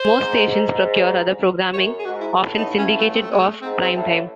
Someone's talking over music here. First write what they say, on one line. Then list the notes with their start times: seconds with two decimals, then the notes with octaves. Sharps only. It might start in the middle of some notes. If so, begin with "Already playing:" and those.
Most stations procure other programming, often syndicated, off prime time.
Already playing: C5
0.18 G#2
1.74 F#2 C#5
1.99 G#4
2.05 G#2 F#4
2.21 E4
2.36 A1 A2
2.57 D#4
2.78 C#4
2.99 A3
3.13 C4
3.20 A3
3.31 G#3
3.41 A3
3.62 G#2 C4
3.82 C4
3.93 A1 A2